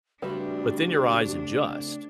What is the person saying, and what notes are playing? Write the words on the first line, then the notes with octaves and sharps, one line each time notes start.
but then your eyes adjust.
C#3 G3 A3 C4 D4 F#4 B4